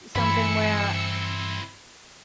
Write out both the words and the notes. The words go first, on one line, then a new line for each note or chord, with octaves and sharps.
something where
G2 E3 C4 E4 G#5 B5 E6 C#7